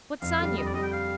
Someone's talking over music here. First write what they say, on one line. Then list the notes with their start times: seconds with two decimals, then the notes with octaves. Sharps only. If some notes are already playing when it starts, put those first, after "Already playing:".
What's on you?
0.22 F2 F5
0.40 D3 G3
0.57 F2 D#5
0.66 D5
0.74 D3 G3 D#5
0.83 G5
0.92 F5